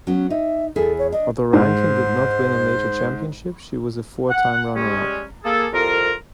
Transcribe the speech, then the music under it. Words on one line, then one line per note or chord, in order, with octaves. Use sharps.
Although Rankin did not win a major championship, she was a four-time runner-up.
F#3 B3 C#4
D#4 E5
E2 E4 G#4 A4
C#5
D4 D#5
G#2 C5
F#5
G3 G#3 C#4
A#3 G#4 A4
C2 F2 F4 A#4